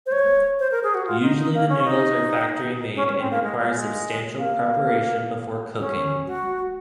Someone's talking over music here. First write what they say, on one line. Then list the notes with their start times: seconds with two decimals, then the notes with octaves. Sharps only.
Usually, the noodles are factory-made, and requires substantial preparation before cooking.
0.06 C5
0.12 C#5
0.59 C5
0.71 A#4
0.83 G#4
0.94 F#4
1.06 F4
1.22 D#4
1.38 D#4
1.54 A#3
1.69 C#4
1.85 D#4
2.95 C#4
3.07 C#4
3.19 C4
3.31 A#3
3.43 G#3
3.58 A#3
3.74 G#3
4.37 A#3
5.79 C#4
6.26 F#4